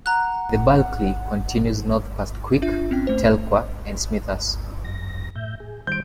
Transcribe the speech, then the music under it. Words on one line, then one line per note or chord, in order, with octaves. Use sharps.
The Bulkley continues north past Quick, Telkwa and Smithers.
F#5 A#5 F#6
D4 F4 E5
C4 C#4 G5
A3 C5
F#2 A#6
A2 E5 G6
G#4
D#3 G3 C5 G6 D7